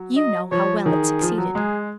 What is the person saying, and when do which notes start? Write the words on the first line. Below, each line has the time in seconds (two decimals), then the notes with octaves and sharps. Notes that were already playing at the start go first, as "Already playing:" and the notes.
You know how well it succeeded--.
Already playing: F#3
0.16 D#5
0.51 F3 C#5
0.86 D#3 G#4
1.21 F3
1.38 F#3
1.55 G#3 G#4